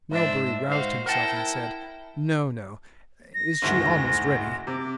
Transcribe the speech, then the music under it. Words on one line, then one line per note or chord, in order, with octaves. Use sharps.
Melbury roused himself and said, "No, no. Is she almost ready?"
G#2 D4 C5 E5
G#2 F#4 C5 F5
E4 A#4 F#5 G5 A5
A#6
F#1 D2 G#2
C3 D6